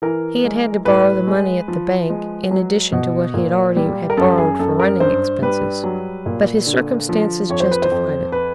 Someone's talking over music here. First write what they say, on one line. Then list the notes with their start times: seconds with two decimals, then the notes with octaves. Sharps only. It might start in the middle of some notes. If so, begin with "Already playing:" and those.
He had had to borrow the money at the bank in addition to what he already had borrowed for running expenses, but his circumstances justified it.
0.02 E3 A#4
0.44 G#3
0.85 A2 B4
1.27 G#3
1.68 F3
2.10 G#3
2.51 F#3
2.92 B2
3.34 A#2
3.76 G3
4.10 A#4
4.17 F#2 A4
4.38 G#4
4.59 F#2 A4
4.80 A#4
5.00 G2 C5
5.42 G3 B4
5.84 F#3
6.26 A#2
6.67 D3
7.09 F3
7.49 F2 C#5
7.60 C5
7.71 B4
7.82 C5
7.91 F2
8.32 B4